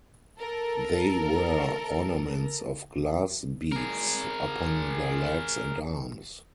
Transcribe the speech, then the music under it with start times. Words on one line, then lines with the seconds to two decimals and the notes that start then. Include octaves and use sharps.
They wear ornaments of glass beads upon their legs and arms.
0.39 A4 A#4
3.72 G#4 A#4